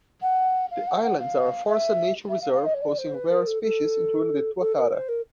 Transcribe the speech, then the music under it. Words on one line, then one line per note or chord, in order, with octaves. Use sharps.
The islands are a forested nature reserve hosting rare species including the tuatara.
F#5
F5
F#5
F#5
F5
E5
E5
F5
F5
D#5
C#5
D5
C5
B4
A#4
A4
A4
A4
A#4
C5
A#4